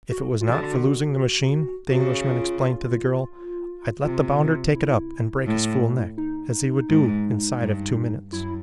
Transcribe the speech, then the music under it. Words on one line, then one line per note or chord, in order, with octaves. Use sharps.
"If it was not for losing the machine," the Englishman explained to the girl, "I'd let the bounder take it up and break his fool neck as he would do inside of two minutes."
F#4
F4
D3 F#4
C#3 F#4
F4
F4
C3 F4
E4
A2
D#4
G#2
G2
F#2 E4